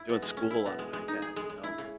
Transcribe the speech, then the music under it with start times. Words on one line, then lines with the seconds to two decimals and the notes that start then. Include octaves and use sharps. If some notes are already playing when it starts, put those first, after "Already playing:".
doing school on an iPad, you know,
Already playing: E4
0.09 B2
0.22 G#3
0.37 C#4
0.50 E4
0.66 B2
0.79 G#3
0.93 G#3
1.08 D#4
1.22 G#4
1.36 G#3
1.49 G#3
1.63 E4
1.78 C#3